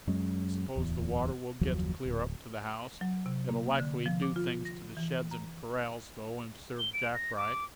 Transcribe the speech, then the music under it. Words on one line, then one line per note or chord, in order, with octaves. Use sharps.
I don't suppose the water will get clear up to the house; it'll likely do things to the sheds and corrals, though, and serve Jack right.
F#2 F#3 G#3 C#4
D1 E2
F#1 D#2 F3 F#3
D1
F#3
C3
A#3
D3
F3
D6
F4
A#6
E3
A#5
G7
D7
A#6
D6